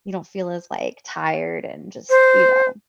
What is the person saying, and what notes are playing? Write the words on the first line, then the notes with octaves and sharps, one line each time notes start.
you don't feel as, like, tired, and just you know?
C5